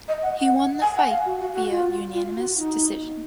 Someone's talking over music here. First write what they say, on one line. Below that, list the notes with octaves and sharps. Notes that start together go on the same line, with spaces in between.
He won the fight via unanimous decision.
D#5
F#5
F#5
G#5
F#5
F5
F#4
F#4
F#4
F4
F4
F#4
D#4